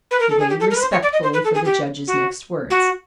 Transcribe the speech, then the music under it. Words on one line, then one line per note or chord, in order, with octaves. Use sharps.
He waited respectfully for the judge's next words.
B4
A#4
A4
G#4
G4
A4
A#4
B4
C5
C#5
D5
D#5
C5
B4
A4
G#4
G4
F#4
F#4